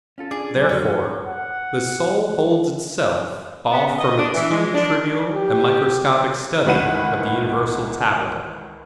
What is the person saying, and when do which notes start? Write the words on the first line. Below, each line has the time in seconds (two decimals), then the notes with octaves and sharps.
Therefore the soul holds itself off from a too trivial and microscopic study of the universal tablet.
0.18 C#4 F4 A4
0.31 D4 G#4 D5
0.56 C#2 G#2 F#3
0.69 F2 A#2 C#4 F#4
0.82 D#4
1.27 F#5
3.71 B3
3.86 C#3
3.98 D#5
4.17 D4
4.33 E3
4.50 G#3
4.74 D4
5.33 G4
6.66 C#2 D#3 E3 B4 F#5 D#7